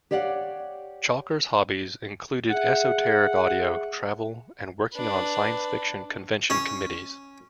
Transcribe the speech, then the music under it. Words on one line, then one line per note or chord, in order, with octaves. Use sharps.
Chalker's hobbies included esoteric audio, travel, and working on science-fiction convention committees.
G4 C#5 D5 F5 F#5
G#4 E5 F#5
D4 B4
C#4